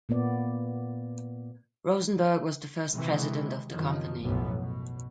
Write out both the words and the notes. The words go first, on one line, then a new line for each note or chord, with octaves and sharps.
Rosenberg was the first president of the company.
A#2 A#3 B3 D5
C3 D#3 E3 G#3
F#2 C3 D#3 F3
B1 F#2 A2 F3 B3
B2